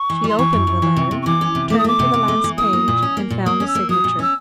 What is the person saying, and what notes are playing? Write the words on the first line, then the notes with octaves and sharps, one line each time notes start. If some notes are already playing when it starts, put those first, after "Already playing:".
She opened the letter, turned to the last page, and found the signature.
Already playing: C#6
E3
G3 C6
E3 C#6
F#2
F#2
E3
C3
C3
C#6
E3 D6
C#4
C3
A3 D6
D#6
A3 D6
C3
C3
A3
E3
A#3 D#6
A#3
A#2
C#4
A#3
A#2
A#3 D#6
C#4
E6
A#3
F#3 D#6
A#2
C#4 E6